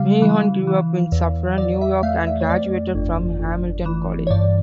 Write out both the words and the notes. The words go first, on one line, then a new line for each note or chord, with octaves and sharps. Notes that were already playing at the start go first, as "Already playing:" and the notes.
Meehan grew up in Suffern, New York, and graduated from Hamilton College.
Already playing: C#3 G3 F5
E3
E3
E2
E2 D5
E5
A3 F5
E5
C#5
F2 D5
G1
G1
E3
C#5
G2 D5